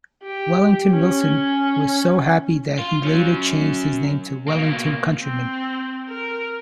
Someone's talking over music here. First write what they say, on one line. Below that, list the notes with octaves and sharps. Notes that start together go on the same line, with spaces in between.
Wellington Wilson was so happy that he later changed his name to Wellington Countryman.
G4
C#4
F4
F#3 C#4
B2 A#3
C4
A#4